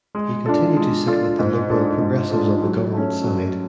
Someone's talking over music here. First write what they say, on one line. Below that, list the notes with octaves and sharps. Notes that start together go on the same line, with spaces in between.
He continued to sit with the Liberal-Progressives, on the government side.
G#3
D4 F4 A4
G#3
D4 F4 A4
G#2
G#3 D4 F4 A4
G#2
G#3 D4 F4 A4
F#3
A3 C#4
F#3